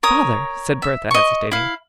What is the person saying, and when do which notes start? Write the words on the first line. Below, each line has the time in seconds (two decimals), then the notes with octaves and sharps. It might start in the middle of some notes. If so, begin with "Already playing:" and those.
"Father!" said Bertha, hesitating.
0.03 A#4 C#5 D#6
0.82 E5
1.11 D#5 C#6
1.51 E4 F5